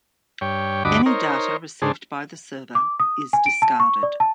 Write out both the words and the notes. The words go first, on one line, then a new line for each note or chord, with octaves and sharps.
Any data received by the server is discarded.
G2 C#5 G5
D2 G2 F#4 D#5 B5 D6
D#4 A#4 C5 C#5
G#2 C#3 D4 G#4 C5 A5
D6
D#6
G#5
D7
A5
C#6
D5
A5